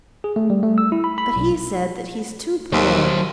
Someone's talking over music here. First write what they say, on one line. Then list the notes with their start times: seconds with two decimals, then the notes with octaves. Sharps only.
But he said that he is too poor.
0.24 G#4
0.36 A3
0.50 G3
0.63 A3
0.78 E6
0.92 E4
1.04 B5
1.18 B5
1.36 B1
2.73 D#2 F#3 C5